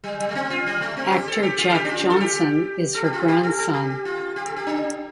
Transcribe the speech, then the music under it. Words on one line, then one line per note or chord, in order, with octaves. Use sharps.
Actor Jack Johnson is her grandson.
G3
G3
A3
C4
F4
G3
A3
C4
G4
A4
G4
F4
A4
G4
D4
F4
A4
G4
A4
G4
F4
G4
A4
A4
G4
F4
G4
A4
G4
D4